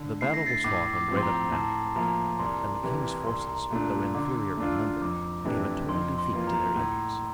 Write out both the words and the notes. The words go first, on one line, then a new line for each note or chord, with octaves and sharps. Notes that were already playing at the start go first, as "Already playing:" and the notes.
The battle was fought on Bradoc Down; and the king's forces, though inferior in number, gave a total defeat to their enemies.
Already playing: D3
A3 E4 C7
A#6
A6 C7
A2 D6
D6
F3 C4
C6
A#5
A2 A5
F3 A#3 E4 A#5
C2 C6
C3 E3
C2 C6
A#5
A#2 A3 D4 A#5
D3 D6
D6
A3 D4 F4
E6
F2 D6
C3 E3 A3 D4
F2 C6
C6
E3 A#3 F4
A#5
A2